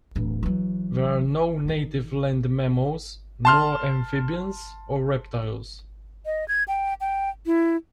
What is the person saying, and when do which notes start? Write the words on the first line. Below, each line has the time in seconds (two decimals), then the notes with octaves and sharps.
There are no native land mammals, nor amphibians or reptiles.
0.16 D1 E3
0.43 E3 F#3
1.65 D#3 E3
3.45 A5 C6 F6
6.26 D#5
6.48 G#6
6.68 G5
7.01 G5
7.46 E4